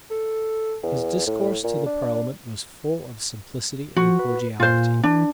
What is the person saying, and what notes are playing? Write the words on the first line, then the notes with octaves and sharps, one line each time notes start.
His discourse to the parliament was full of simplicity and cordiality.
A4
E2
A2
A#2
D4
F3 F#4
B4
A#2 F4 C5
E3 D4